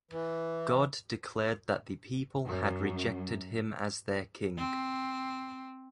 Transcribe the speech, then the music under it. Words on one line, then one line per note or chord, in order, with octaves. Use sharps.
God declared that the people had rejected him as their king.
E3
F#2
C4